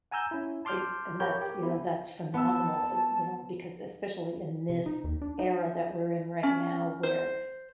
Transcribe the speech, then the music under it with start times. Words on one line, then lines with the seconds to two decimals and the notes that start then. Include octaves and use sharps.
Eh and that's you know, that's phenomenal, eh, you know, because especially in this era that we're in right now, where
0.11 F#5 G#5 A#5 E6 G6
0.31 C#4 E4
0.65 A5 C6 D6 F6 G6
1.20 G4 A#4 C#5 G5 B5 G6
1.41 G4 A#4
1.62 B3 E4 F4 C5
2.34 B3 A5 E6
4.70 C3
4.86 D#4
5.04 D#2
5.22 D4
5.39 D#4
6.43 C#4
7.03 C5